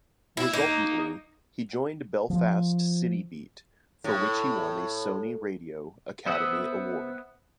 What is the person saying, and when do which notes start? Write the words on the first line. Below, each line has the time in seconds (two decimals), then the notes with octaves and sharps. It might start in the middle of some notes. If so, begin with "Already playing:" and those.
Resultantly he joined Belfast CityBeat, for which he won a Sony Radio Academy Award.
0.37 E4
0.54 A#3 D#4
2.30 F3
4.04 A2
6.26 B3 C5 E5 F#5 D#6